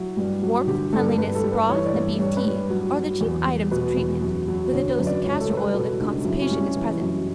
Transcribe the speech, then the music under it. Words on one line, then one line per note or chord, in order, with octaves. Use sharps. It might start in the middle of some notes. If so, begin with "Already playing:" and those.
Warmth, cleanliness, broth, and beef-tea, are the chief items of treatment, with a dose of castor oil if constipation is present.
Already playing: F#3 E4
G2
F#3
D3 G4
G2 A4
G2 B4
A4
G3
B4
E3 C#5
D5
G2
G2 C#5
B4
G2
F#3
F#3
E2
G3
B2 B4
E2
F#2
F#3
D3 C#5
B4
F#2
D5
C#2 C#5
A4
G3
B4
B2 A4
C#2 D4
F#2 E4
C#4
G3
C#4
E3
F#2